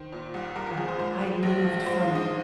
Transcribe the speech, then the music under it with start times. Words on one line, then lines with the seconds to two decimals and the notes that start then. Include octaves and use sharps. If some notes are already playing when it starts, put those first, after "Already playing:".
Um, I moved from
Already playing: D#3 C5
0.12 A#2
0.34 C2
0.55 C2 A#4
0.66 A#4
0.77 F3 G#4
0.88 C5
0.99 G#2 C5
1.21 G#3
1.43 A#1
1.64 F3
1.86 G#2 C5
2.00 F4
2.08 G#3
2.15 D#4